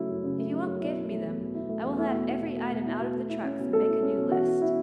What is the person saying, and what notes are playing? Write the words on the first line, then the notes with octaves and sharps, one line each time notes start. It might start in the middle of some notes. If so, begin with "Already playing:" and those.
If you won't give me them, I will have every item out of the trucks and make a new list.
Already playing: C#3 F#3 A3 E4
F#2
C#3
A3
F#3
F#2
B2 E4
E4
A3
E2
B2
E4
A3
E2
A3 E4
B2
E4
B2
A3
B2
E4
B2
A3
E4
C#4
B2
A3 A4
E4
C#4
B2
E3 F#4
E4
B3 E4